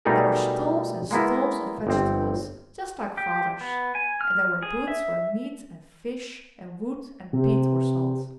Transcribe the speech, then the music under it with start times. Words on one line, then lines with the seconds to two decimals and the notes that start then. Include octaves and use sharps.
There were stalls and stalls of vegetables just like Father's, and there were booths where meat and fish and wood and peat were sold.
0.05 B2 G3 A3 D#4 G#4 A#4
1.11 G#3 A#3 B3 E4
1.87 G1 C4
3.17 G4
3.61 B3
3.95 G#5
4.21 F6
4.63 G#4
4.88 E5
7.33 C3